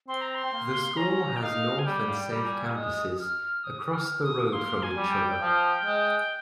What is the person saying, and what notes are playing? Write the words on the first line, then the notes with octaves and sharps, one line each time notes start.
The school has north and south campuses, across the road from each other.
C4 C6
A#5
C6
C4
A#3
C#4 A#5
G5
D#4 F5
G#5
G3 G5
F5
G5
G3
A#5
G#5
C#6
G#3 D#6
D#6
F6
D#6
F6
D#6
A#3 C6
G#5
G3
G5
F3
G#3